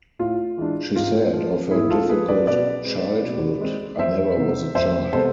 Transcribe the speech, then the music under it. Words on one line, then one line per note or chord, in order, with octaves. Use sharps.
She said of her difficult childhood, I never was a child.
A2 F4
E3 G#3 D4
G#2 F4
F3 G#3
G#2 E4 G#4
F4 A4
F3 G#3 G#4 B4
B4 D5
B2 B4 D5
G#3 C4
B2
G#3 C4
F2 C5 E5
C3 G#3 B3
F2 C5 E5
C3 G#3 B3 A4 C5